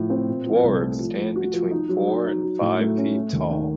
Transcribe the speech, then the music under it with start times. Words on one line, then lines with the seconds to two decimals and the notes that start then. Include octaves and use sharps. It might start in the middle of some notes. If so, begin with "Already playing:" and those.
Dwarves stand between four and five feet tall.
Already playing: A2 F3
0.10 C4
0.28 A#2
0.46 F3
0.64 C2
0.81 A3
0.99 F3
1.17 F3
1.36 F#4
1.53 F3
1.71 D#4
1.89 F#3
2.07 D#4
2.25 D#4
2.43 F#3
2.61 A2
2.79 A3
2.98 C#4
3.15 A3
3.33 D#2
3.51 D#3